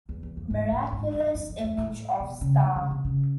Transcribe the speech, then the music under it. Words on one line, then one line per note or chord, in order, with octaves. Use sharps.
Miraculous Image of Sta.
E2
E2
F2
G#2
A2
G#2
G2
F#2
F2
F2
A2
B2
C#3
D3
C#3
C3
C#3